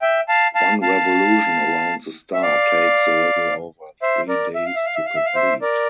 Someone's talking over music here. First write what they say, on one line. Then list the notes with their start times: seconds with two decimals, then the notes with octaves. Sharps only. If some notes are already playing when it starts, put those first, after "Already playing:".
One revolution around the star takes a little over three days to complete.
0.02 E5 G5
0.28 F5 A5
0.55 F5 A5
0.82 F5 A5
2.34 E5
2.42 D5 F5
4.02 C5 E5
4.29 A#4 D5
4.55 E5
4.65 F5
4.75 E5
4.85 F5
4.95 E5
5.06 F5
5.16 E5
5.25 F5
5.35 C5 E5
5.61 A#4 D5